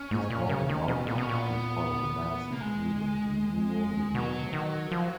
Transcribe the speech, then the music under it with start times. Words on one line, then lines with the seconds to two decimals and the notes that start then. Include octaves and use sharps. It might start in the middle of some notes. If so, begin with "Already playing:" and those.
East Darling Harbour is part of a massive urban renewal development.
Already playing: C#4
0.11 G#2
0.30 A#2
0.50 C#3
0.69 D#3
0.88 B2
1.07 A#2 B3
1.18 B2 C#4
1.29 A#2
1.35 B3
2.52 A#3
2.60 G#3
4.15 B2 F#3
4.53 D#3
4.92 F3